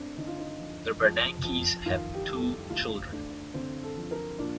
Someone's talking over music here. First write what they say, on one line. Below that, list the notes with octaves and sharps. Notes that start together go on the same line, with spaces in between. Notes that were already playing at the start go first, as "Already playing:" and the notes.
The Bernankes have two children.
Already playing: A3 C4 D4
D3 D#4
F4
D#4
F3
F2
F2
D#3 F4
G4
G3
A4
G4
D2 F4
A3 D4
D3 C4
A4
F3
A#4
A#2 D4